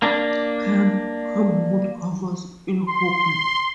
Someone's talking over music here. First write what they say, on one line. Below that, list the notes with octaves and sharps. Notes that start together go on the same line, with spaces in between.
Camp Camwood covers in Hockley.
A#3 D4
C6